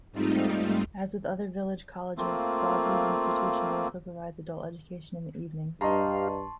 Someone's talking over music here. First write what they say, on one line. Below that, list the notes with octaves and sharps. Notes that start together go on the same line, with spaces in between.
As with other village colleges, Swavesey's institution also provides adult education in the evenings.
G#2 G3 A3 C4 D#4 F4
A3 A#3 C4 F4
G2 G4 D#5 F5 A5 A#5 C6 C#6